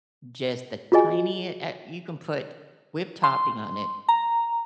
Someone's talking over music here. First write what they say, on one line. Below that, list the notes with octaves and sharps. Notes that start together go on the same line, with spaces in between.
just the tinie eh, you can put whipped topping on it
F4 F#4 G#4 D#5 G#5
C6
A#5